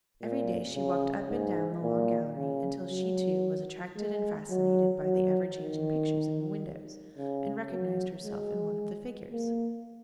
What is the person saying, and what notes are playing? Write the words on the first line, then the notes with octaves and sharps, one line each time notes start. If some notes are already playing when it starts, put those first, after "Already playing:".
Every day she walked up and down the long gallery, until she too was attracted and fascinated by the ever-changing pictures in the windows, and recognised herself in one of the figures.
A#2
C#3
G#2
A#2
C#3
F#3
G#3
F#3
F#3
D#3
C#3
F#3
G#3
A#3